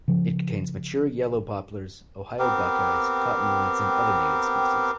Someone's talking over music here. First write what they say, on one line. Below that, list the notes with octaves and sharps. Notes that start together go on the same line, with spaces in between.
It contains mature yellow poplars, Ohio buckeyes, cottonwoods, and other native species.
C#3 F3
B3 C4 G4 A#4